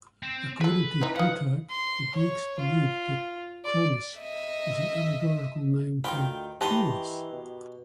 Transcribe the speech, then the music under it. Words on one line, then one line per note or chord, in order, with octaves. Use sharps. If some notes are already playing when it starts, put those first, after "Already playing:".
According to Plutarch, the Greeks believed that Cronus was an allegorical name for Chronos.
C4
G#4 A4 B4
E3 C4 D#4
F3 D#4 F5 F#5
C6
C#5
F4
D5
D#5 E5
D2 D#3 E3 F4 G5 B5
D#3 E3 G4 B4 A5 A#5 C6
B2